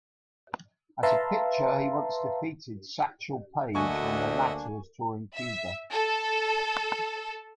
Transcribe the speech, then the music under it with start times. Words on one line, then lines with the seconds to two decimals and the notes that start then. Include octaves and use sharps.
As a pitcher, he once defeated Satchel Paige when the latter was touring Cuba.
1.03 B4 E5 F5 A5 A#5 C6
3.75 D2 A#3 D4 D#5 E5 F#5 G#5 C#6
5.34 E5
5.92 A4